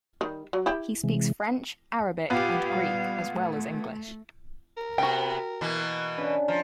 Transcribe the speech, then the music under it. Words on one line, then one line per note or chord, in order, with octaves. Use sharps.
He speaks French, Arabic, and Greek as well as English.
D#3 G3
F#3
E4 G4
C3 E3 G#3
A#2 B3 G4 B4 F5
G3 F5
A3
A#4
C3 B3 F#4 G5
B2 E3 A#3
C#3 D4 B4
F3 D#5 A#5